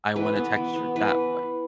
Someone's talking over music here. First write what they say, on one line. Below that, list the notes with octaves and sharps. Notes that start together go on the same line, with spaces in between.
I want a texture that way.
E3 B4
B3
E3
B3
E3 B4